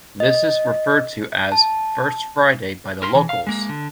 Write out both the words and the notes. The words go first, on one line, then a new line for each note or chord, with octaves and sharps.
This is referred to as "First Friday" by the locals.
D#5
A5
A#4 C6
E3
F5
G#3 A#3
D3